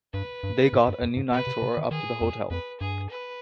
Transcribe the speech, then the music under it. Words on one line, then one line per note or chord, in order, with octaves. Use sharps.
They got a new knife-thrower up to the hotel.
G2 B4
G2
G#2
G2
F2
G#2
B2 B4
C3
C3
D#3
D#3 G#4
F2
F2 B4
G2 G#4
B4